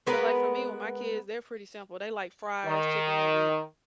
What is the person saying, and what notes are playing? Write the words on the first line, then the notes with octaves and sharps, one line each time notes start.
So, like, for me, with my kids, they're pretty simple. They like fries, chicken nugget,
G#3 B3 A#4 B4
D#3